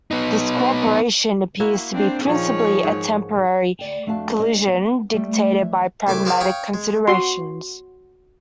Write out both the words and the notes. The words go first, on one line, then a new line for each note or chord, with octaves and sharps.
This co-operation appears to be principally a temporary coalition dictated by pragmatic considerations.
B3 D#4
A#3 E4 F#4
C4 D4 C5
A#2 D#3 F3 G#4 C#5
G#2
D2 D5 G5
F2 A3 D4 F#4 F5 A5
D4 G4 C#5 D#5
B3
G3 A3
E3 E5
C2 A3 G#5 D6
G#4 A#4 C5 D5 F5 A5
C#5 F5 G5 D#6
G#3
F#4 C6